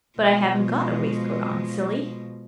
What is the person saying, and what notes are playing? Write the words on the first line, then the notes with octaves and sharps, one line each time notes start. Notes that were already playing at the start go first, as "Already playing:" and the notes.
"But I haven't got a waistcoat on, silly."
B2 F3 G#3